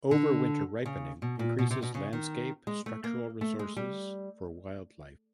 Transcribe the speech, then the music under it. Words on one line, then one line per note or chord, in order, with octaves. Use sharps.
Overwinter ripening increases landscape structural resources for wildlife.
D3
C#3
B2
A#2
B2
C3
B2
C#3
D#3
G#3
A3
A#3
A3
G#3
G3